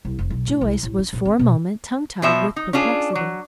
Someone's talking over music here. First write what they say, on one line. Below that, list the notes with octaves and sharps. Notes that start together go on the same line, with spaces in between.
Joyce was, for a moment, tongue-tied with perplexity.
C2
F1
B1
A2
C2
A1
D4
A#1
C4
B2
B2 F3 E5
D#4
C#4 D4 F4 G#4
F#3